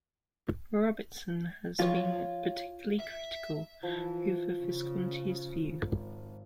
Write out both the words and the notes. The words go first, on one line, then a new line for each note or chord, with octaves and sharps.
Robertson has been particularly critical over Visconti's view.
F3 F4 C#5
E5
E3 F3
C#3
G#1